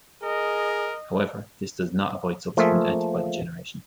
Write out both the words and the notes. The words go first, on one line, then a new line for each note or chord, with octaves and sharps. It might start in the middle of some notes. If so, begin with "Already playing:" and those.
However, this does not avoid subsequent antibody generation.
G#4 A#4 D#5
F3 A3 A#3 F4 G#4 E5